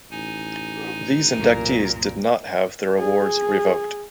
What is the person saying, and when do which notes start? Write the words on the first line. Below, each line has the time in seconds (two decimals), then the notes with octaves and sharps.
These inductees did not have their awards revoked.
0.11 A1 D#4 G#5
1.38 C2 F#2 A#2 A#4
2.99 G#4